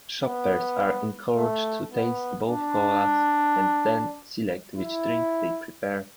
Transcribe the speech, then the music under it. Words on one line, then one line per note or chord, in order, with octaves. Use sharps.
Shoppers are encouraged to taste both colas, and then select which drink they prefer.
B3
A3
B3
D4
E4